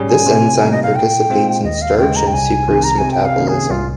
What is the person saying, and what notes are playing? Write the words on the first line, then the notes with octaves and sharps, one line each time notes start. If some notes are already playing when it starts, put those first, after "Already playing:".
This enzyme participates in starch and sucrose metabolism.
Already playing: G#2 G3 C#4 G#4
G#5
C3
G3 A#3 D#4
D#5
F5
A#2 G5
G#3 C4 F4
D#2 D#5
F5
C#3 G#3 G5
A#5
G5
C2 G#5
C3 D#3
A#5
C3 G#5
G5
F5
D#3 A#3 C#4
G#4
C2 F4